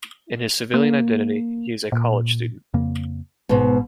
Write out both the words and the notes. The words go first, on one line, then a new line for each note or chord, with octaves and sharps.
In his civilian identity, he is a college student.
A#3
A#2
F2 C#3 A#3
G#1 G#2 B2